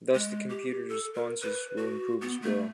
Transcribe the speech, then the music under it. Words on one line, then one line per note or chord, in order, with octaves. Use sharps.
Thus the computer's responses will improve as well.
G#3
G4
A4
A#4
B4
F#4
B3
A3